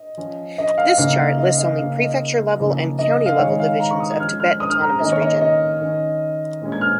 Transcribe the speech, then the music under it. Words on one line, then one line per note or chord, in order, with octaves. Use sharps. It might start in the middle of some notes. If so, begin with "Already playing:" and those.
This chart lists only prefecture-level and county-level divisions of Tibet Autonomous Region.
Already playing: D#5
F3 C#4
D#5
F5
C#3 A#3 D#4 F5
D#5
D#5
C#3 A#3 D#4 F5
D#5
C#3 F3 A#3 D#4
D#5
F5
D#3 G#3 D#4 C#5
F5
A#5
C#6
D#6
G#6
F3 G#3 C#4 F6
F6
D#6
F6
A#5
D#3 A#3 C#4 D#5
C#5
D#5
D#5
D#3 C#4
A#2 G#3 C#4
G#6
F6